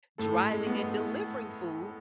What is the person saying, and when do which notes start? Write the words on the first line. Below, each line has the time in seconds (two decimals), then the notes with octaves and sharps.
driving and delivering food
0.18 A2 A4
0.34 A2
0.51 G#3
0.67 B3
0.83 A2